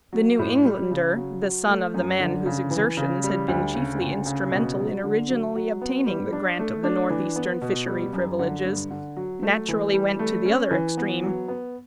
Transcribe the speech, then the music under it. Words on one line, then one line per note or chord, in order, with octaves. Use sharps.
The New Englander--the son of the man whose exertions had been chiefly instrumental in originally obtaining the grant of the Northeastern fishery privileges--naturally went to the other extreme.
F#3
A2
G3
C#3
F#3
F#3
A3
F#2
D3
C#3
E3
C#3
G3
D2
C#3
D2
C#3
B2
F#3
D3
F#3
F#3
B3
G3
D4
A3
D4
E3
B3
B2
G3
F#2
D3
G2
D3
F#3
A3
E3
G3
A3
C#4
E3
B3
F#3
B3